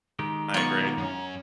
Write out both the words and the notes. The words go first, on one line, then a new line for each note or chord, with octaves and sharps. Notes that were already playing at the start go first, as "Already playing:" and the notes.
I agree.
D#3 G#3 G4 A#5
F#3 B3 F4 C#6
F#2 C#4